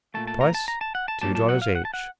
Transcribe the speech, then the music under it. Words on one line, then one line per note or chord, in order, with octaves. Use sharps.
Price, two dollars each!
A#2 F#3 A3 A5
A5
A#5
A5
A#5
A5
F#5
A5
A#2 F#3 A#3 A5
A5
F#5
F5
F#5
A5
F#5